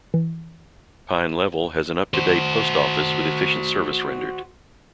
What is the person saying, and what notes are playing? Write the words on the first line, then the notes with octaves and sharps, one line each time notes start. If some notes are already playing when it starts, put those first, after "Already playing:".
Pine Level has an up-to-date post office with efficient service rendered.
E3
F#4 C5